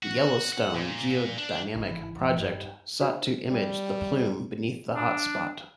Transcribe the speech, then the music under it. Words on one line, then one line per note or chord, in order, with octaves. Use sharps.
The Yellowstone Geodynamic Project sought to image the plume beneath the hotspot.
F#4
F#5
A#2
D4
G1 G#2 C#3 D#4
E3 E4
E2 F3
G2 D#4 G4
D4 F#4 C5
G3
D4